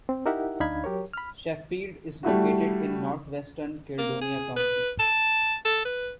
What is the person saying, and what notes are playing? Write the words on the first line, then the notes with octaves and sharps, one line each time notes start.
Sheffield is located in northwestern Caledonia County.
C4
D#4 E4 G4 A#4 E5 F#5
D2 D4 D#4 F5 B5 G#6
F#3 G4 A#4 C#5
B5 F6
G3 A3 E4 F#4
A#3
G#4
B4
A5
A4
B4